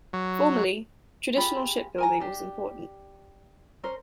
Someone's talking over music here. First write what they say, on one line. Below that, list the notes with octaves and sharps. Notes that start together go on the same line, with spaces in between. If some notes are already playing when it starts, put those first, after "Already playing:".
Formerly, traditional ship building was important.
F#3
F4 G4 G#4 B5
A#4 G#5 A#5
D4 G4
C#4 A#4 C5